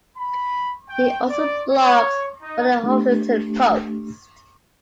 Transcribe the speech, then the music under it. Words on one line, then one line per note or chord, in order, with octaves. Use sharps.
He also blogs for the "Huffington Post".
B5
G5
D5
C#5
D#4
A3 D4 G4